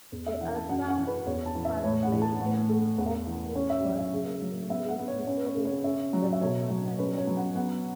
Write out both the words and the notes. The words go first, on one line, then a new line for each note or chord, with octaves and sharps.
There are some translations of his work in English including "The Forgotten Woman".
E2
E5
E3 F#5
A5
F#2 F#5
F#5
E3
B4
E2 C#5
A5
E3
E5
A2 C#5
F#5
E3
A5
A2 F#5
A3
E2 F#5
E3
C#4 C#5
E5
F#3
E5
C#3
F#3
B3 E5
F#5
B3
C#5
C#4 C#5
C#5
C#3
C#5
C#4 E5
F#3
E5
B2 C#5
F#3
C#4 B4
C#5
F#3
F#5
B3 F#5